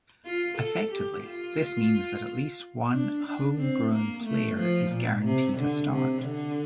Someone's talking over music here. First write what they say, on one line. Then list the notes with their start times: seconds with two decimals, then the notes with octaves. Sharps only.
Effectively this means that at least one home grown player is guaranteed a start.
0.25 F4
0.58 A4
0.91 G4
1.25 F4
2.91 D4
3.24 D4
3.58 C4
3.91 A#3
4.24 A3
4.57 F3
4.90 A#2
5.24 C3
5.57 D3
5.90 C3
6.23 D3